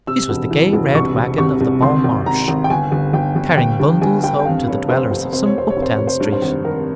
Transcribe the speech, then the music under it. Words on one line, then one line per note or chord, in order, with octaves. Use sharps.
It was the gay red wagon of the Bon Marche, carrying bundles home to the dwellers of some up-town street.
C3 E6
E1
E3
E1
C2 C#6
C3
C2 C#6
C2
G#1 C6
G#1
G#1 A#5
G#1
G5
G1 G#5
G1
G1 G5
G1
G1 G5
G2
G1 G#5
G2 G5
G5
F2 F5
F1 C#5
F1 C5
F1
C3 C5
C#5
C3 C5
C#5
F1
C5
F1 C#5
C5
G2 C#5
C5
G#1
G#1 A#4